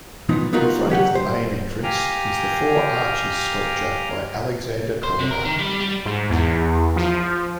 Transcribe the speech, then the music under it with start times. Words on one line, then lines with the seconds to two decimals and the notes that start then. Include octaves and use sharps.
In front of the main entrance is the "Four Arches" sculpture by Alexander Calder.
0.29 B1 F3 B3 D#4
0.53 B3 D#4 F4 F#4 A#4
0.90 F#3 G4 F#5
1.15 C5
1.83 G4 F5 G5 G#5 A#5
5.03 C5
5.19 C3
5.31 A#4
5.45 D#3
5.59 G3
5.81 G3
6.06 G#2
6.30 E2
6.96 F3